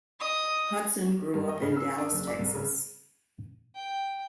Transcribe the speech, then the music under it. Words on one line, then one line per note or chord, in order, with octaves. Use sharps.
Hutson grew up in Dallas, Texas.
D#5 D#6
G2
D#5
C#3
E6
D4
F#1
D5
C2
C#3
G5